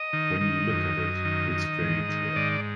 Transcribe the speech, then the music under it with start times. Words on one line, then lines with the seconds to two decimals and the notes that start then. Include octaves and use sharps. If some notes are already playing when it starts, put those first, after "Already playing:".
When you look at it, it's very clear.
Already playing: D#5
0.13 D#3
0.41 D#3
0.70 F#2
0.97 F#2
1.25 D#3
1.52 D#3
1.81 G#2
2.09 D#3
2.36 G#2 D5